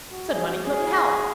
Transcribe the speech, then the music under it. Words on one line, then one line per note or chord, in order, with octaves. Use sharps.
Said money couldn't help.
F#4
G#4
F#4
G#4